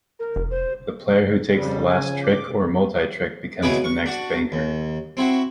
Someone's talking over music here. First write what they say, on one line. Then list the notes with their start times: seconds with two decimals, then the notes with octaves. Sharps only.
The player who takes the last trick or multi-trick becomes the next banker.
0.19 A#4
0.36 F1
0.51 C5
1.57 F2 C#3 F3 G3
1.88 G#5
2.24 D6
3.62 C#2 B2 E4 G#4 B4 D6
3.84 C#6
4.06 D4 F#4
4.52 D#2
5.17 C4 E4 F#4